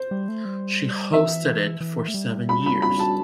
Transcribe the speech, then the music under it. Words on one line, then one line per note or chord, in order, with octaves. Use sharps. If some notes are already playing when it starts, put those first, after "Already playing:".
She hosted it for seven years.
Already playing: C5
G3
A3
G3
E3 E5
E3
A3
G3
B5
B5
B5
A5